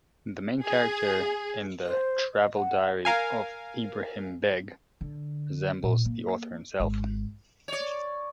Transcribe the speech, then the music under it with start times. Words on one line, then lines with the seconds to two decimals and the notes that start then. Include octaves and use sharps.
The main character in the "Travel Diary of Ebrahim Beg" resembles the author himself.
0.62 G#4
1.86 C5
2.34 D#5
2.55 F#5
3.05 A#4 F5 G#5
5.01 D3
5.83 A#2
6.05 A#3
6.80 G#1
7.68 C#5 D5